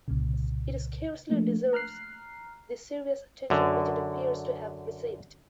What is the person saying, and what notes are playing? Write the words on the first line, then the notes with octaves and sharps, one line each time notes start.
It scarcely deserves the serious attention which it appears to have received.
C2 A#2 C#3
F3 A3 A#3 D4
A#5 F6 F#6 C7
F#2 D3